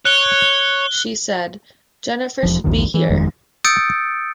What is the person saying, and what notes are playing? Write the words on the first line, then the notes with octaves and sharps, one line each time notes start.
She said, 'Jennifer should be here!
C#5 F#6 G7
E1 C#2 F3
A#1 E2 G2 D#3
E3
G1 F2 D#3 G#3
D#6 E6 G6 A6 C#7 D7